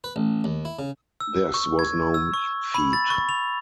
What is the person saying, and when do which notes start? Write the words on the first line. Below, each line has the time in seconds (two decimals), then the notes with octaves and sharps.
This was no mean feat.
0.04 B4
0.16 A1
0.44 D#2
0.65 E4
0.79 C#3
1.20 E6
1.54 C#6
1.79 G#6
2.14 E6
2.34 C#6
2.74 B5
2.93 A6
3.10 C#6
3.29 F7